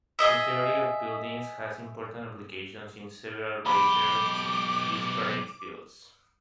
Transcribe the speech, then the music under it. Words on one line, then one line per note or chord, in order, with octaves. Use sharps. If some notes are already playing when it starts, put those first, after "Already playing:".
The theory of buildings has important applications in several rather disparate fields.
G#4 D#5 E5
B1 G4 B5 D6